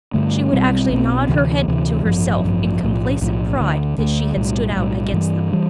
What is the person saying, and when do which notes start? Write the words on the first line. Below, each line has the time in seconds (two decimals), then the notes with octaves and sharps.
She would actually nod her head to herself in complacent pride that she had stood out against them.
0.14 G2 D3 A3
0.52 B1 B2 G3 C4
0.90 B1 B2 G3 C4
1.29 D2 C3 E3
1.68 D2 C3 E3
2.05 A1 G2 F3
2.44 A1 G2 F3
2.83 B1 A2 F3
3.21 B1 A2 F3
3.60 D2 D3 A3
3.98 D2 D3 A3
4.36 B1 A2 G3
4.75 B1 A2 G3
5.13 G2 E3 G3
5.53 E3 G3